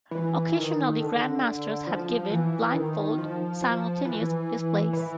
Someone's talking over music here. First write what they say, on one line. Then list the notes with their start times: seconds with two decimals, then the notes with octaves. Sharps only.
Occasionally, grandmasters have given blindfold simultaneous displays.
0.11 E3
0.55 D#3
0.99 D3
1.87 F3
2.31 E3
2.63 E3
2.74 D#3
3.18 F3
3.62 F3
4.05 E3
4.93 E3